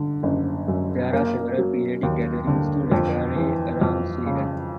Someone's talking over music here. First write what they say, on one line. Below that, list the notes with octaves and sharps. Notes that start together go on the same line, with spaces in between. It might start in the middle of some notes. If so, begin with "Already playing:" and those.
There are several periodic gatherings for raggare around Sweden.
Already playing: D3
F#1
F#2
A#3
F#3
D#2
D3
F2
E3
F2
C#3